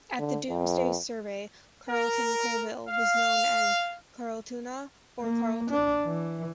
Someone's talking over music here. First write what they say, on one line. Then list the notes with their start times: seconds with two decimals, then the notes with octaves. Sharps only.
At the Domesday survey Carlton Colville was known as Carletuna or Karletun.
0.19 D3
0.49 F2
1.90 A#4
2.90 F5
5.21 A#3
5.71 D4
6.05 E3